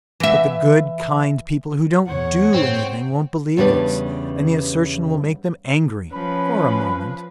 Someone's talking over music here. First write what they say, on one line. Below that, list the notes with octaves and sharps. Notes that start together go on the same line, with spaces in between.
But the good, kind people who don't do anything won't believe this, and the assertion will make them angry--for a moment.
E3 E5
E2 C#5 F#5
G#2 C4
E2 C#3 G3 D4 B4
F3 C#4 B4 B5